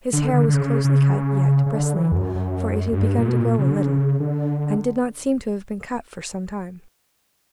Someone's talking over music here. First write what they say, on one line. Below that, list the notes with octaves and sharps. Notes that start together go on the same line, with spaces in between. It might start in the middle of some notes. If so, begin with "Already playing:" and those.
His hair was closely cut, yet bristling, for it had begun to grow a little, and did not seem to have been cut for some time.
D3
D3
D3
C#3
C#3
C#3
D3
E3
E2
F#2
F#2
F#2
G2
A#2
B2
A#2
C#3
D3
C#3
D3